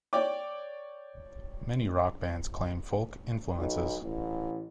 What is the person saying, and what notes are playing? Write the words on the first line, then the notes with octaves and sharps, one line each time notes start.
Many rock bands claim folk influences.
C#5 D5 G5 D6
B1
A1